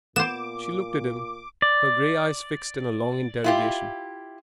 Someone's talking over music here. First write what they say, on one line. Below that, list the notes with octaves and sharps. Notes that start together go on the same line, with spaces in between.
She looked at him, her grey eyes fixed in a long interrogation.
A#2 B3 C5 D6 E7
D5
E4 F4 G4